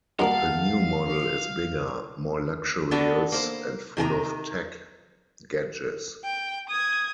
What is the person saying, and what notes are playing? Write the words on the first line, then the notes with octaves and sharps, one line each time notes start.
The new model is bigger, more luxurious and full of tech gadgets.
G2 B2 A#3 F#4 F5 A5
B3 D4 F#4 A4
A#3 C5
C3 D#3 G#4 A#5
G5
D#6 G#6